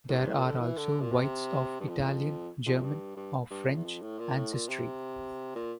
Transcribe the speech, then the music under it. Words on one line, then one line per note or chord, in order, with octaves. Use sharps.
There are also whites of Italian, German, or French ancestry.
A2
G2
A2
A#2
D3
E3
D3
A#2
C3
G2
F2
E2
F2
F2
G2
G2
G2
F2
E2
F2
A2
A#2
A2
A#2
C3
A#2